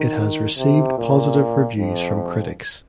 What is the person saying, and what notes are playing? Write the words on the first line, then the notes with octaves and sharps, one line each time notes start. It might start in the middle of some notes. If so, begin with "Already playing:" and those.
It has received positive reviews from critics.
Already playing: D#3
C3
A#2
F2